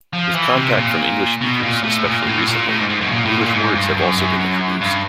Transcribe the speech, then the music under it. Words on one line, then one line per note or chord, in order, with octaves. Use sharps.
With contact from English speakers, especially recently, English words have also been introduced.
F3
E3
C3
A#2
B2
A#2
A2
A#2
A2
A#2
A2
G#2
G#2
F#2
B2
A#2
A2
A#2
G#2
G2
F#2
F#2
G2